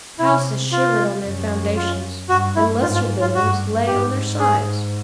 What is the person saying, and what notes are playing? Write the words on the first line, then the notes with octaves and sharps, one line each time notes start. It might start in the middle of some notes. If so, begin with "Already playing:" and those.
Houses shivered on their foundations, and lesser buildings lay on their sides.
C3 E4
F4
F#2
F4
G2 F#4
E4
G#2 F4
F4
F4
G2 F#4
G#2 G4
G#4